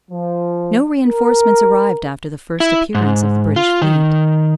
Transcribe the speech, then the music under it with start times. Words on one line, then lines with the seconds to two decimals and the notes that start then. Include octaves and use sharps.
No reinforcements arrived after the first appearance of the British fleet.
0.11 F3
1.07 A#4
2.60 E4
2.95 G#2
3.56 F4
3.82 D#3